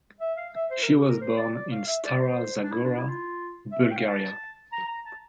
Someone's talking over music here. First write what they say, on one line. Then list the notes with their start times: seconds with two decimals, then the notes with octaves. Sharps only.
She was born in Stara Zagora, Bulgaria.
0.20 E5
0.37 F5
0.54 E5
0.71 C5
0.83 A#4
0.95 G4
1.09 A#4
1.21 C5
1.37 D5
1.55 D5
1.72 F5
1.87 E5
2.05 D5
2.22 C5
2.63 D4
2.71 E4
2.84 D4
2.97 E4
3.09 F4
3.72 E5
3.83 E5
3.91 G5
3.97 F5
4.08 A5
4.72 A#5
4.88 A#5
5.06 A5